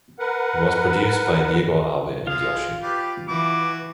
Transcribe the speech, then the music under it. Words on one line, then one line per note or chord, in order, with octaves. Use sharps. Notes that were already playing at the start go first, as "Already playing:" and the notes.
It was produced by Diego Ave and Yoshi.
A#4 B4 F#5
G#3 F4 G#4 F5
G4 B4 D5
E3 E4 F#4 D6